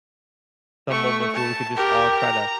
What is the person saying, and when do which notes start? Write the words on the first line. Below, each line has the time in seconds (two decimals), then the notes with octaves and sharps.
some moments where we could just all try to
0.89 A3 C#6
1.34 A5
1.77 G4 A#4
2.19 A#5